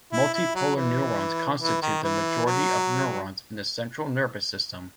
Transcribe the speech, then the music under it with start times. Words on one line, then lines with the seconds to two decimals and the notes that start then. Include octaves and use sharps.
Multipolar neurons constitute the majority of neurons in the central nervous system.
0.12 E4
0.34 E4
0.55 F#3
0.76 E3
1.61 E3
1.82 D#3
2.04 E3
2.46 F#3